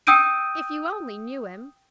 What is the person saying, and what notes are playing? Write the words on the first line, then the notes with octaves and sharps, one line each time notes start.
If you only knew him!
G5 D#6 E6 G6 D7 D#7